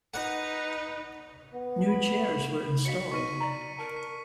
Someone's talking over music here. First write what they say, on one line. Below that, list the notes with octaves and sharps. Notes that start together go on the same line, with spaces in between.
New chairs were installed.
D#4 B4 F#5
B3
B5
F#4 C#5 D#5 F5 B6 C#7
D#4 F#4 B4 D#5 C#6 D#7
D5 A#5
A#4 A5
B6